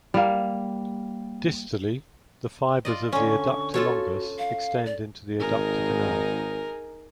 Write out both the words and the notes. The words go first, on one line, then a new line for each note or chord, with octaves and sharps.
Distally, the fibers of the adductor longus extend into the adductor canal.
G3 A#3
F4 D5 D#5
D3 C#4 C#6
F4 F#4 A4 C#5
F5
D5
G#1 D#4 G#4 A#4